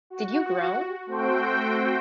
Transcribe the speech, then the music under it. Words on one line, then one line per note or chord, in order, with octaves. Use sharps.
Did you groan?
F#4
A3 C4 F#4 C5 G5